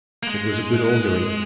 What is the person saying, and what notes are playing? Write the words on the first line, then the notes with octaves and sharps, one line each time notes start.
It was a good augury.
A#3
G#3